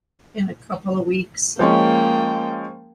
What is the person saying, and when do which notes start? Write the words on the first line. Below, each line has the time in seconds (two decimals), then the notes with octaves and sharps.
in a couple of weeks.
1.59 F3 G#3 A#3 C#4 G5